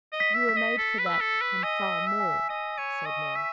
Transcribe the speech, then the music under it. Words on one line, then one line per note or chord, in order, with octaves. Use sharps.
"You were made for that, and far more," said Mary.
D#5
B6
E5
B6
D#5
A4 B6
B4
E6
A4
B6
B4
D#5 G#5
E6
E5
G#5
D#5 D#7
C#5 D#7
D#5 C#6
E5 B6